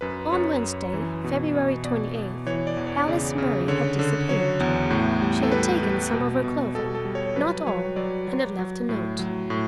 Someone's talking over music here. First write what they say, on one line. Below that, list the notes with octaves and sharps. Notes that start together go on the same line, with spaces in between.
On Wednesday, February twenty-eighth, Alice Murray had disappeared. She had taken some of her clothing--not all, and had left a note.
F#2 B4
F#2 C#5
F#2
E3
B2
B2
B2 D5
B2
E3 C#5
D5
E2
C#5
C#3 D5
C#3
D3 C#5
D3
F#3 C#5
E2
A2
G3
A4
G3 B4
G3
B2
B2
B2 A4
A4
G3
C#5
F#3 B4
F#3 C#5
F#3 D5
F#3
F#3
A2
F#3
A2